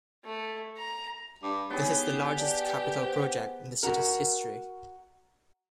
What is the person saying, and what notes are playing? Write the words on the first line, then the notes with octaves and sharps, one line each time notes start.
This is the largest capital project in the city's history.
A3
A#5
G2 D6
B3 D#4 G4 G#4 C#5
D5 A5
C5 F#5
F#4 A#4